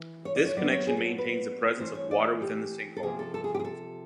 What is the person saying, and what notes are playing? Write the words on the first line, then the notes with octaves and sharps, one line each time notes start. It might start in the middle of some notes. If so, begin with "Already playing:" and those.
This connection maintains the presence of water within the sinkhole.
Already playing: E3
C#5
D5
C#5
A#2 F#3 B3 D5
C#5
G#4
A4
B4
E3 A3 C4 C5
C#5
D5
G4
A4
C3 F3 A#3 G#4
A4
A4
G#4
G4
G#4
A4